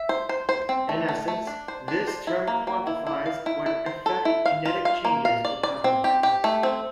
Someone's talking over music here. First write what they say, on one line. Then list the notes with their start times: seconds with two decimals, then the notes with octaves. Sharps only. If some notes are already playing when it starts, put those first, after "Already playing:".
In essence, this term quantifies what effect genetic changes will have on fitness.
Already playing: E5
0.09 C5
0.29 C5
0.49 C5
0.69 C4
0.89 A3
1.09 A3
1.28 A3
1.47 D4
1.68 C5
1.88 D4
2.07 C5
2.27 E4
2.48 A#3
2.67 A#3
2.87 E4
3.07 E4
3.26 F5
3.46 E4
3.66 E4
3.86 C5
4.06 A4
4.25 E4
4.46 F5
4.65 F4
4.85 F5
5.05 A#3
5.25 F5
5.45 D5
5.63 D5
5.84 C4
6.04 G4
6.23 G4
6.44 A3
6.63 C4